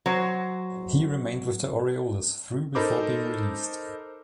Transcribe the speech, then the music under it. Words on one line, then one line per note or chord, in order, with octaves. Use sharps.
He remained with the Orioles through before being released.
F#3 C5
D#4 A4 A#4 C5 B5 D6